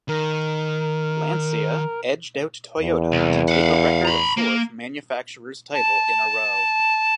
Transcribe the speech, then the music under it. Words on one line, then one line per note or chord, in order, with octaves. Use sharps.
Lancia edged out Toyota to take a record fourth manufacturers' title in a row.
D#3 A#4
E2
C2
F5 F#5
A#5 B5
A#3
A5